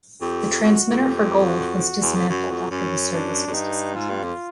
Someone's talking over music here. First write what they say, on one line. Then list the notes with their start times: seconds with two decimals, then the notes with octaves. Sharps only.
The transmitter for Gold was dismantled after the service was discontinued.
0.21 F2 G4
0.63 F2 F#4
0.90 F2
1.04 G4
1.46 F#4
2.01 E2
2.15 F2
2.29 F#2 F#4
2.50 F2
2.71 F#2 C#4
3.13 D4
3.47 F#2
3.53 G2 D#4
3.95 G#2 F4
4.09 G2
4.23 F2